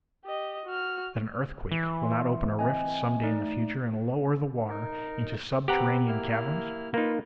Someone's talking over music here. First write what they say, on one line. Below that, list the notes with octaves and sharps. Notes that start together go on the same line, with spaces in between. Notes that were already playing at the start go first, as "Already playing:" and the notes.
That an earthquake will not open a rift--some day in the future--and lower the water into subterranean caverns?
G4 D#5
F#4 F6
E3
C6
C4 D#5 G#5
A3 D#4 D5
D#4 A#4
C4 G4 B4 F#5 A#5 D6
A#3 E4 F6
A#3 D#4 F4 B4